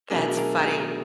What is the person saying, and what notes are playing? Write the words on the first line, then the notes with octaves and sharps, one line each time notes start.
That's funny.
B2 F#3 A3 D4 G#4 A#4
G#4 A#4
G#4 A#4